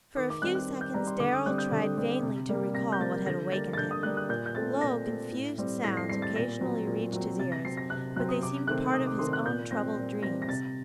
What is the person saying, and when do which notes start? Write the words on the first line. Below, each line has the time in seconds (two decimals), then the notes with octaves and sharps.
For a few seconds Darrell tried vainly to recall what had awakened him. Low, confused sounds occasionally reached his ears, but they seemed part of his own troubled dreams.
0.16 D#3 D6
0.30 D6
0.42 G3 C4 F#6
0.55 F#6
0.69 D#3
0.81 G6
0.94 G3 C4 A#5
1.07 C6
1.19 D3 D6
1.32 D#6
1.46 G3 C4 F#6
1.58 G6
1.72 D3
1.97 G3 C4
2.22 C3
2.49 G3 A#3
2.74 C3 A#6
2.92 G6
3.00 G3 A#3 A6
3.26 D3 A#6
3.52 G3 A#3 A6
3.73 A6
3.77 D3 G6
3.91 D#6
4.03 G3 A#3 F#6
4.17 F#6
4.29 A#2 G6
4.46 G6
4.55 A3 C4 A6
4.81 A#2 A#6
5.07 A3 C4
5.33 A2
5.58 G3 C4
5.84 A2 A#6
5.97 C7
6.09 G3 C4 C7
6.22 A6
6.36 A#2 A#6
6.61 F#3 C4
6.87 A#2
7.13 F#3 C4
7.38 C3 A6
7.52 A#6
7.65 F#3 C4 C7
7.77 A#6
7.90 C3 F#6
8.16 F#3 C4 F#6
8.29 D#6
8.42 C3 D6
8.67 D#3 A3 C4 F#6
8.94 C3 D#6
9.07 D6
9.19 D#3 A3 C4 C6
9.33 F#6
9.45 A#2 G6
9.71 G3 C4 A#6
9.97 A#2
10.23 G3 C4 A#6
10.42 A#6
10.48 C3 A6